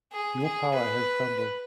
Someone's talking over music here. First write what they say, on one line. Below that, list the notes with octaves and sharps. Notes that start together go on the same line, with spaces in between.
Your power has crumbled.
G#4
G#4
B4